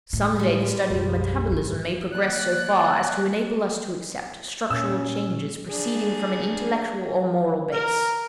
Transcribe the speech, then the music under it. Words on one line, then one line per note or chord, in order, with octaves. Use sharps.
Some day the study of metabolism may progress so far as to enable us to accept structural changes proceeding from an intellectual or moral base.
A2
G3 G#3
B1 F#2
G#2
A#3 C#5 D5 F#6
A#2 C#4 E6
D4 G#4
A#4